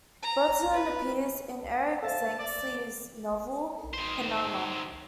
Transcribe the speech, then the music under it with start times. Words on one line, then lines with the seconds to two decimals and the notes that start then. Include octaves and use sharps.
Bertillon appears in Eric Zencey's novel "Panama".
0.23 A#5
0.74 B4
2.02 A4 C5 E5 F5 A5 E6
2.39 D5
3.93 D#3 C5